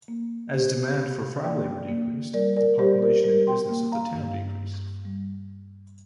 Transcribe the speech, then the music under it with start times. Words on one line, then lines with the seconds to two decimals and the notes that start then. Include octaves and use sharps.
As demand for farm labor decreased, the population and business of the town decreased.
0.08 A#3
0.54 C3 G4 C5
0.99 C3
1.44 A#3 D5 G5
1.89 A#3
2.34 G3 A#4 D5
2.57 A#4 D5
2.79 G3 G4 C5
3.02 A#4
3.24 G3 A#4
3.47 G5 C6
3.69 A#3
3.92 F5 A#5
4.14 G2
4.60 G2
5.05 G3